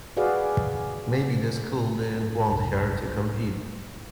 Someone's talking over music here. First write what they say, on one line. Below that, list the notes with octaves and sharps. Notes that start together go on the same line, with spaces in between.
Maybe the school didn't want her to compete.
F#4 G#4 B4 D5 F5
F#1 C2